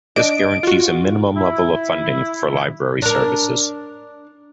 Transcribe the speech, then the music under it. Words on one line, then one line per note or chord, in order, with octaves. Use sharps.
This guarantees a minimum level of funding for Library services.
D4 D#5 D7
F4 F#4
E4
D4 A#4